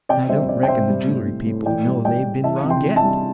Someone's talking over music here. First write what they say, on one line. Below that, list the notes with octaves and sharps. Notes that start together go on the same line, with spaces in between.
I don't reckon the julery people know they've been robbed yet.
C3 D5 G5
G3 C5 E5
C3 D5
G5
C3 C5 E5
G3
A2
A2
A2
E3 D5 G5
G3
G3 D5 G5
G3
E3 E5 A5
C3
G5 C6
E3
E5 A5
G3